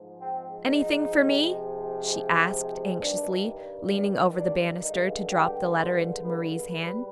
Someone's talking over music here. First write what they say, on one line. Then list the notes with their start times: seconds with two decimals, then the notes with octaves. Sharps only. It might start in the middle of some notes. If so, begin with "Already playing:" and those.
"Anything for me?" she asked, anxiously, leaning over the banister to drop the letter into Marie's hand.
Already playing: G#2 F3 G#3
0.21 C4
0.66 D#4
1.13 C3 F3 G#3
2.98 G2 D#3 G3 D4
3.92 D4
4.38 D4
4.84 G2 D3 G#3 D#4
5.31 G4
5.77 C5
6.24 B4
6.70 G#2 G3 B4